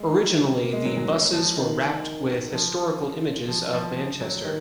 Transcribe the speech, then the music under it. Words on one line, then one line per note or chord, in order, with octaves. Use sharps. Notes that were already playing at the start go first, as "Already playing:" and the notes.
Originally, the buses were wrapped with historical images of Manchester.
Already playing: G#3
A#3
G#3
F#3
F#3
F#3
F3
D#3
F3
F3
F3
F3
F#3
D#3